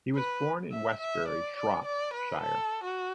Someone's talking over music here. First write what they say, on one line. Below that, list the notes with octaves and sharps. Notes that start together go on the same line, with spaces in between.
He was born in Westbury, Shropshire.
B4
E5
E5
D5
D5
D5
B4
A4
F#4